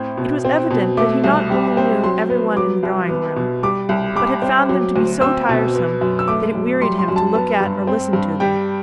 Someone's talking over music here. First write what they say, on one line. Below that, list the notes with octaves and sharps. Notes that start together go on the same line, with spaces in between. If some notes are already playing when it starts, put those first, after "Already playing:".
It was evident that he not only knew everyone in the drawing room, but had found them to be so tiresome that it wearied him to look at or listen to them.
Already playing: A2 C4
B2
C4
B2
A3 D6
C2
G3
C4
F#3 C6
B3
F#3 D6
C2
B3
B2
G3 D6
C2
G3 D6
C4
F#3
D2
C4 E6
B2
B3
F#2
E6
A3 D6
F#2
G3 C6
C6
F#2
A5
B3 A5
G2
C4
G2
G3 G5